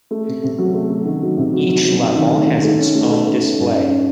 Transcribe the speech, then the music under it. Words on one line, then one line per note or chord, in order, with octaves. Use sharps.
Each level has its own display.
A3
C3
C3
F#3
A3
A3
D#3
F#3
C3
F#3
F#3
F#3
C3
D#3
A3
D#3
A3
C#4
A3
A3
A3
C#4
G2
C#4
C#4